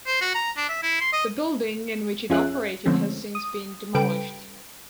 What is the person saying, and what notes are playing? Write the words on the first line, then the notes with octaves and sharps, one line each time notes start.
The building in which it operated has since been demolished.
C5
F#4
A#5
D4
E5
E4
C6
D#5
F2 C#4 F4 G#4 E5 F#6
D3 F3 G#3 A3 C4 C#4
D#6
C#3 G3 A4 B4 G5 D7